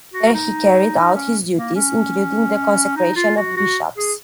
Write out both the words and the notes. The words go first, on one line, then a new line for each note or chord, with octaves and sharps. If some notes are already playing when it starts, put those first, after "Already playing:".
There he carried out his duties, including the consecration of bishops.
F#4
D#4
C#4
A#3
C#4
D#4
F4
F#4
F#4
G#4